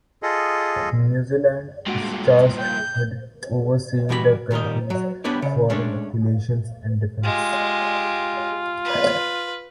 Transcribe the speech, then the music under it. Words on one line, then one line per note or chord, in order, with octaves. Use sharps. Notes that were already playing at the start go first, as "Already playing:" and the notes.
New Zealand is tasked with overseeing the country's foreign relations and defense.
F4 G#4 A4 D#5
G2 A#2 G#3 F#4 F#5
G5 G6
C2 E3 G3 F#4 G#4 B5
A#2 D#3 G3 A#4 D#5
F#3
G3 B3 D4 B4 C#5 D5
C#3
G#3 A3 C#4 D4
G#3 F4 G4
B4